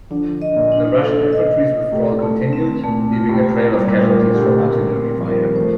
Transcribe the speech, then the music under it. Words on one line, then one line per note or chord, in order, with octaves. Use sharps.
The Russian infantry's withdrawal continued, leaving a trail of casualties from artillery fire.
D3 F3 D4
D#5
A#2
D4
A4
D#5
D#5
A2 C3 A4
A2 A3
C4
A#2 A3
F4
A2 C3
F4
A#2 G3
A#2
A2
A#4
A#2
D3 G4
A2 C3
A2 C3 A#4
C4
G3
F3
D#3 G3 A#4
F3 A3 C5